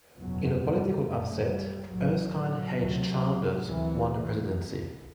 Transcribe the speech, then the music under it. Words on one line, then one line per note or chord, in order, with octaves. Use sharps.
In a political upset, Erskine H. Childers won the presidency.
F#1 E2 B2 F#3
G3
G1 F#2 A3
G3
A1 A2 F#3
F#3
D2 C3
D2 C3 E3